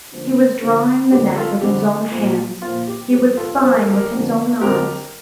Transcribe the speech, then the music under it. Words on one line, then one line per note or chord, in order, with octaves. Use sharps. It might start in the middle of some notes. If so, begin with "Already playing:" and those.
He was drawing the net with his own hands, he was spying with his own eyes.
D3 F3 A#3
D3 F3 A#3
F2 D3 G3 C4 G4
F4 A4
F2 D3 G3 C4 G4
A#2 F3 A#3
A#2 F3 A#3 F4
G4
G2 F3 C4 G4
F4 A4
G2 F3 C4 C5
A#4
A4
G4 A#4
F2 D3 F3
F2 D3 F3 G4 A#4